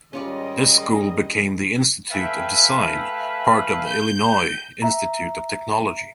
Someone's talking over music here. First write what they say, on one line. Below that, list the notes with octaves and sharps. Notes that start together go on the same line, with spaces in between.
This school became the Institute of Design, part of the Illinois Institute of Technology.
G#2 D#3 G3 C#4 F4 G#4 D5 D#5
A3 B4 E5 F5 G5 G#5
G6
E5 A#5